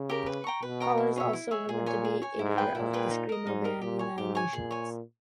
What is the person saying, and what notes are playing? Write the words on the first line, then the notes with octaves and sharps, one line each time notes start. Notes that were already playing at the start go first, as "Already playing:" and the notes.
Koller is also rumored to be a member of the screamo band United Nations.
Already playing: C#3
G4 A#4
B4
G5 A#5 C#6
B2 B4
G5 A#5 C#6
E4
G#4 C#5 E5
E4
G#4 C#5 E5
A#2 G#4
C#5 G#5
G#4
C#5 G#5
G#2 E4
G#4 B4 G5
A#2 E4
G#4 B4 G5
D#4
A#4 D#5
G#2 D#4
A#4 D#5
A#2 G4
C#5 G#5
G#2 G4
C#5 G#5
A#2 G#4
C#5 G#5